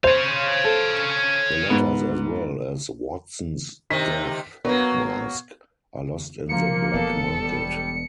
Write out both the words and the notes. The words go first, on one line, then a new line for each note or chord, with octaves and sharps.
The letters as well as Watson's death mask are lost in the black market.
C5 C#5 F5
A4
G#2 B3
C3 D#3 B6
F#3 A#3 B3
F3 A#3 C#7
E1 B3 A4
G3